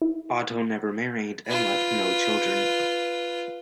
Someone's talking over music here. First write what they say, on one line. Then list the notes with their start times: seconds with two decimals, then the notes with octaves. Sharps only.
Otto never married and left no children.
0.02 E4
1.46 F4 B4